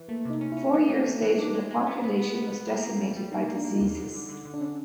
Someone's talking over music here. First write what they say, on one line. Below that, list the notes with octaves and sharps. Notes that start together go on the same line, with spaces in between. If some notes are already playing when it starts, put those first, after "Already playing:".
Four years later, the population was decimated by diseases.
Already playing: E3
A3 A#3
C3 D#4
C#4
E4
C#4
E3 D#4
A3
A3
E3
D4 D#4
G#3
G#3
B3
B3
B3
B3
B3
A#3 E4
A#3
G3
G3
A#3 D#4
A#3
D4
A#3
D#4
D#2
D3
D3
D3
D3
D4
D3 C#4